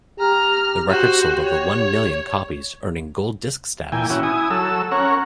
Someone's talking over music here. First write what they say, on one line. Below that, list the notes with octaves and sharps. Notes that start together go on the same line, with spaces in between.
The record sold over one million copies, earning gold disc status.
G4 A#5 F6
F#4 C5
C#5
A#2 E3 G5 G#5
C#4 E4 F#4
E4 G#5 D#6
F#3 A4 E6
C#4 A#4 C#5 F#5